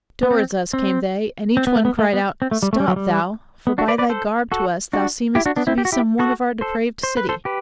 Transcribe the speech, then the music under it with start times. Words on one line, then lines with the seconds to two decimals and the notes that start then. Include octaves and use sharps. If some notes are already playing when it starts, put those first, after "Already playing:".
Towards us came they, and each one cried out: "Stop, thou; for by thy garb to us thou seemest To be some one of our depraved city."
0.23 B3
0.31 C4
0.73 C4
1.57 C4
1.67 B3
1.76 A3
1.85 B3
1.99 A3
2.13 B3
2.42 C4
2.51 A3
2.63 G3
2.73 A3
2.80 G3
2.88 F#3
2.96 G3
3.67 B3
3.78 D4 F#4
3.88 B4 D5
3.98 B4 D5
4.10 A4 C5
4.52 F#4 A4
4.93 D4 F#4
5.35 E4 G4
5.46 D4 F#4
5.56 B3 D4
5.67 C4 E4
5.78 G4
5.85 F#4
5.92 E4 G4
6.19 F#4 A4
6.61 A4 C5
7.03 C5
7.17 B4
7.29 A4 C5
7.45 G4 B4